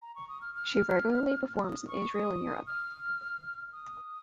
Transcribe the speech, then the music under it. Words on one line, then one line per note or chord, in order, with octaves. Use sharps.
She regularly performs in Israel and Europe.
A#5
C#6
D#6
F6
F6
D#6
C#6
D#6
F6
D#6